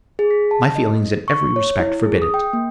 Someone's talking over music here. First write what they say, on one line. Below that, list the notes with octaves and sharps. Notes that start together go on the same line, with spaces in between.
My feelings in every respect forbid it.
G#4
B6
A5
D#5
C#6
C#5
E4
G#4
D#6
G5
A#3